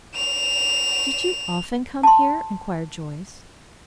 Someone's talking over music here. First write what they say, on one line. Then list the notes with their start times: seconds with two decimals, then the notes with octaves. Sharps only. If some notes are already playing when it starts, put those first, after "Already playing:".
"Did you often come here?" inquired Joyce.
0.15 E7 F7
2.03 A5 C6